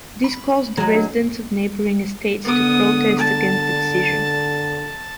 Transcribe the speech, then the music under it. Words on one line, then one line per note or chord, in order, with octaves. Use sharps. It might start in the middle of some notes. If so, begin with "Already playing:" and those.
This caused the residents of neighbouring estates to protest against the decision.
B5
F#3 G#3
D4
D3 B3 D#6
A5